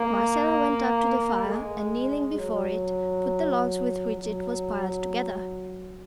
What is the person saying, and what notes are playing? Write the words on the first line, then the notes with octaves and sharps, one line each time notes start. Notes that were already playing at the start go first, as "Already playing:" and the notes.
Marcella went up to the fire and, kneeling before it, put the logs with which it was piled together.
Already playing: A#3
G#3
F#3
F#3